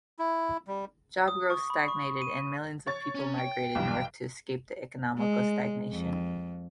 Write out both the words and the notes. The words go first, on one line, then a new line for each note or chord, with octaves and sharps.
Job growth stagnated and millions of people migrate North to escape the economic stagnation.
E4
G3
D#6
C#6
B5
C#6
D#7
C#5 C#6 A6
C#4
G5
B1 E2 G2
G#3
F2